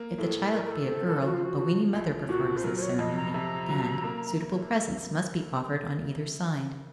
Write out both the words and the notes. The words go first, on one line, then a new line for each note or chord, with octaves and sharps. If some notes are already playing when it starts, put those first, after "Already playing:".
If the child be a girl, a weaning mother performs this ceremony, and suitable presents must be offered on either side.
Already playing: A#3
A2 A4
A3 A#4
A#4
A4
C4 A4
A4
F3 F#4
F4
F#4
F3
C2
A#2 F#4
C5
F#3 A#4
C5
C#5
F2 D#5
A#5
C3 A#5
F#3
A#3